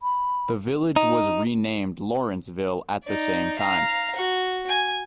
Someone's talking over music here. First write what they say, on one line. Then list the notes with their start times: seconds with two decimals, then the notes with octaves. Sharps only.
The village was renamed Lawrenceville at the same time.
0.03 B5
0.96 D#4
3.04 D#4 D5
3.58 F5 A#5
4.15 F#4
4.68 G#5